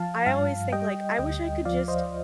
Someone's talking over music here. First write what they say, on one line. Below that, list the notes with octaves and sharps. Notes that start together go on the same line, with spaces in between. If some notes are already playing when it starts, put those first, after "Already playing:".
I always think, like, I wish I could just
Already playing: F3 F5 A5
G2 F5 A5
G3 D#5 G5
D2 D#5 G5
F3 D5 F5
C5 D#5